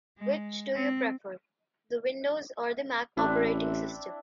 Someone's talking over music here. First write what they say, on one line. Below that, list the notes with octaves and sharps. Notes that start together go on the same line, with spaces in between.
Which do you prefer: the Windows or the Mac operating system?
G#3
C4
A1 C4 D4 E4